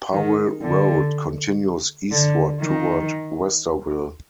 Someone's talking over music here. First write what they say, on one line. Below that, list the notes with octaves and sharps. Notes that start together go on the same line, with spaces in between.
Powell Road continues eastward toward Westerville.
D#3
D3
D3
D#3